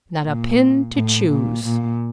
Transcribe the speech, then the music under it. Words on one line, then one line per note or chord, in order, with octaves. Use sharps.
Not a Pin to Choose.
A#2
A2
A#2
A#2